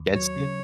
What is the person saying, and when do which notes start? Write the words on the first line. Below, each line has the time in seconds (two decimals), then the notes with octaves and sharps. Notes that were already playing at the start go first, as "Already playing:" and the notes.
Against you?
Already playing: D#2
0.14 F#3 C#5
0.36 C#3